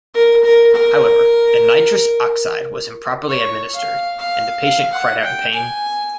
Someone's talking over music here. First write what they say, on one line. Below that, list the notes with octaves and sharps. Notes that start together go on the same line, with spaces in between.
However, the nitrous oxide was improperly administered and the patient cried out in pain.
A#4
A#4
A#4
C#5
F5
F5
F5
F#5
G5
G#5